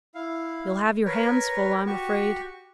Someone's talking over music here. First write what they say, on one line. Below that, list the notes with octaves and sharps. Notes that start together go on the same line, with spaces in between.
You'll have your hands full, I'm afraid.
E4 F5
A#4 B4 C#5
F#4 G4 C#6